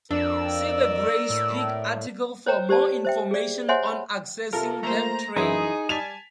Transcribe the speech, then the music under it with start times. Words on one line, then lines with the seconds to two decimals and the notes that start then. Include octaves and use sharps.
See the Grays Peak article for more information on accessing that trail.
0.11 F2 D4 A#4 D5 E6
1.30 A2
2.46 C5 C#5 G5 A#5
2.69 G4 C5 D5 A5
3.05 C5 E5 G5
3.31 G#4 D5
3.68 C5 C#5 E5 F#5 G#5 C6
3.86 B5
4.53 C3 F4 A4 A#4
4.83 A3 A#3 C5 A#5
5.36 F#2 E3 D#4 E4 G#4 C6
5.89 G3 G#5 A5 G#6 B6 F7